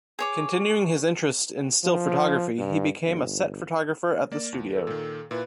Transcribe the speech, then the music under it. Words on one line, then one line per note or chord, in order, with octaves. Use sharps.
Continuing his interest in still photography he became a set photographer at the studio.
G#4 C#5 D6
F3
G2
G1
A#3 D5
D#2
A4
A#2 D#3
A#2 E4 B4